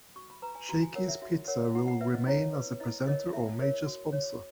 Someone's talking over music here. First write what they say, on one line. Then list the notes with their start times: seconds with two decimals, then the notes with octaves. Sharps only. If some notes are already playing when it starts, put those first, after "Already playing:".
Shakey's Pizza will remain as a presenter or major sponsor.
0.16 F#4 C#6
0.30 B5
0.42 B4 A#5
0.55 G#5
0.69 F#4 A#5
0.83 G#5
0.95 A#4 C#5 F#5
1.08 E5
1.22 F#4 E5
1.48 A#4 C#5 F#5
1.75 E4 F#5
1.88 F#5
2.01 B4 E5
2.14 D#5
2.27 E4 C#5
2.53 B4
2.80 E4 D#5
3.07 A#4 C#5 D#5
3.32 E4 E5
3.59 A#4 C#5
3.86 F#4
4.13 C#5